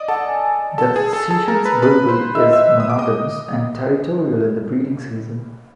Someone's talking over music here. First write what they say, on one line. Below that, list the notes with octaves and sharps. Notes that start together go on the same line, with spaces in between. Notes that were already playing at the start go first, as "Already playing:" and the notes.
The Seychelles bulbul is monogamous and territorial in the breeding season.
Already playing: D5 D#5 D6 D#6
A4 F#5 A5
G#5
A4 A5
G#4 G#5
A4 A5
A4 A5
A#4 A#5
B4 B5
B4 B5
C5 C6
D#5 E5 E6
E5 E6
E6
D#6
D6
D#5 D#6